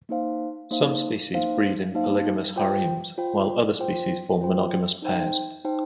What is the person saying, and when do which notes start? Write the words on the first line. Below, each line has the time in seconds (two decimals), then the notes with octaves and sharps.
Some species breed in polygamous harems, while other species form monogamous pairs.
0.09 A#3 D#4 C5 F5
0.71 A#3 D#4 C5 F5
1.33 A#3 D#4 C5 F5
1.94 A#3 D#4 C5 F5
2.56 F4 C5 G5
3.18 F4 C5 G5
3.79 F4 C5 G5
4.41 F4 C5 G5
5.02 D#4 C5 G5
5.65 D#4 C5 G5